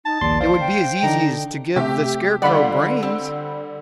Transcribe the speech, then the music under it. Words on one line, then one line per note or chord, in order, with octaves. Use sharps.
"It would be as easy as to give the Scarecrow brains."
D#4 A5
A#1 D#2 D5 C6
C5 F5
G5
D3 D4 D#4
C3 A3 G4 E5
D3 G3 F4 D5 F#5 B5
C4